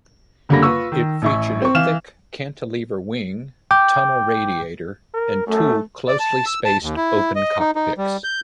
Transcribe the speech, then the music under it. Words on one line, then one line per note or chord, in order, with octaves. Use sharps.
It featured a thick cantilever wing, tunnel radiator and two closely spaced open cockpits.
F#2 D3 G3 A#3 B5 A#6
F4 B4 C#6 E6
D#3
A1 E4 C#6
C4 C#6
E3 F5 F6 E7
G5 D6 G6
A#4
F#2 A3
D5
A5
E6
A5
D#2
E4
D#5
D#4
D#4
G3
G6